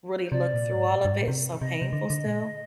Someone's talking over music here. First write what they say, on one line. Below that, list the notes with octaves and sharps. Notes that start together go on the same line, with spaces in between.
really look through all of it. It's so painful still,
C5
C3 D5
A#2
G#2
A#2
G2
G#2
A#2
C3
C3 D#5
C3
D3
D3
A#2